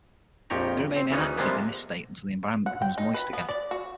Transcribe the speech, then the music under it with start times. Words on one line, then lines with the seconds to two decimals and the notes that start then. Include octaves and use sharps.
They remain inactive in this state until the environment becomes moist again.
0.50 A#1 F2 F3 G4 C#5 A#5
0.96 C4
1.11 D2 C#3 E3 B3 C#4 D#4
1.37 C3 F3 G3 G#3 A#3 B3
2.66 F#5
2.82 G5
2.98 D#4
3.14 B4
3.33 B3
3.49 D5
3.71 F#4